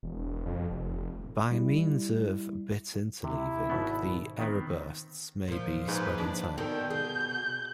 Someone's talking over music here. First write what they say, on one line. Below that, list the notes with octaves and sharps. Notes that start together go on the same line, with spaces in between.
By means of bit-interleaving, the error bursts may be spread in time.
E1
F2
F1
G3 E4
C3 E4
G#1 B2 B3
D#3 B3 C4
A#2 F3
G#2 B4
D4
B2 D3 D#3 G5
G#4 G6